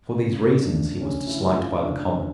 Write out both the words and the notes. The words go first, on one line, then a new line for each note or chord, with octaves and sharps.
For these reasons he was disliked by the Commons.
C#3
F3 A3 D4
C#3 C#4
E4
F3 A3
F4
C#3 D4